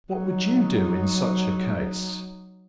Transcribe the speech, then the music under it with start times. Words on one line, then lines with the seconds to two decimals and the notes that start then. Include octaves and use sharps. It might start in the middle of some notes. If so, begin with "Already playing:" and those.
What would you do in such a case?
0.12 F#3 D#4